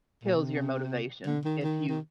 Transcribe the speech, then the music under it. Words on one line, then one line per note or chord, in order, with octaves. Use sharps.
kills your motivation if you
A#2
C3
D3
D#3
D#3
D#3